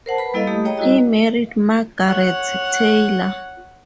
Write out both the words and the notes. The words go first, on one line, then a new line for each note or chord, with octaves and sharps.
He married Margaret Taylor.
A#4 C5 F#5 A5
B4 B5
G3 A#3 E4 A4 D#5 F5
A3 G4 B5 D#6
G#4 C#5 D#5 G5 A#5
G3 D#4 E4 F#4 D#5
C#5 F#5